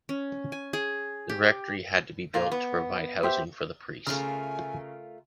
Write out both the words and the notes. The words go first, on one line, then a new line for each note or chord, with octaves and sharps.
The rectory had to be built to provide housing for the priest.
C#4
G#5
G#4
G4
A#2 F5
B3
G4 C5 E5
C#3 A3 F4 A#4 G#5 F6